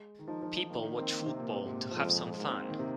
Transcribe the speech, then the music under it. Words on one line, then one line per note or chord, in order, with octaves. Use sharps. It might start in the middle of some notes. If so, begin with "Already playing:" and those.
People watch football to have some fun.
Already playing: G#3
D#3
F3 D#4
F3
F3
D#3 A#3
A#3
C4
A#3
C3
A#2
G#2 C3
A#2
A#2
F3
F2 G#3
G#2 A#3
C4
A#3
D#3
C3